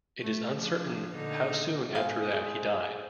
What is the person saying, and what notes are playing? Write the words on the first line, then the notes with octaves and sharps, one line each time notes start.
It is uncertain how soon after that he died.
A3
F3 D4
A#2 D3 D#4
G#2 B2 G#4 A4 C5 F5